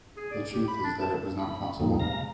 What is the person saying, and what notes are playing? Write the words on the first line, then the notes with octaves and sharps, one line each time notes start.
The truth is that it was not possible.
G#4
D5
G4
B5
D4
A5
B5
F2 A2 F3 G3 A#3 D#4
C3 G#3 F5 A#5 A#6